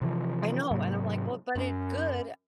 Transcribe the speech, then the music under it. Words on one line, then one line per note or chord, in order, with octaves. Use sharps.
I know, and I'm like well, but it's good.
C3 E3 F3
G#2 C3 F#3 A#3
F#2 C4 C#4